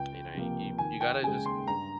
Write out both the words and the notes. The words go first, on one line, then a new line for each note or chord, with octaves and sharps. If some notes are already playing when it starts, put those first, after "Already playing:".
you know, you you gotta just
Already playing: C#2 G5
C3 F3 A#3
D#2 G#5
G5
C#3 G#3 G#5
C6
G2 A#5